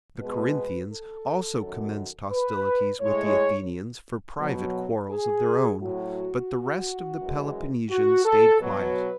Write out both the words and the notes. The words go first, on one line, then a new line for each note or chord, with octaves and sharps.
The Corinthians also commenced hostilities with the Athenians for private quarrels of their own; but the rest of the Peloponnesians stayed quiet.
B2 G#3 B4
A4
F#2 D#3 F#3
B4
A2 G#3 C#5
B2 F#3
G#4
A2 F#3 F#4
F#2 E3 G#3
F#4
A4
B2 F#3 B4